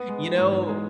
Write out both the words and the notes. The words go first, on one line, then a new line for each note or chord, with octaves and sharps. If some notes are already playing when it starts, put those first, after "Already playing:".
You know
Already playing: B3
G#3
E3
G#2
G#2
G#3